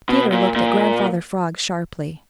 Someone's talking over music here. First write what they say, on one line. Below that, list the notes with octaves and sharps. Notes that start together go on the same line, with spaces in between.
Peter looked at Grandfather Frog sharply.
B2
A#2
A#2